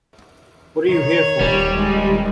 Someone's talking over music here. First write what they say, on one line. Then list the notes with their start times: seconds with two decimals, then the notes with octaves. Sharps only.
What are you here for?
0.89 D#3 C#5
1.41 D#1 G3
1.77 G#3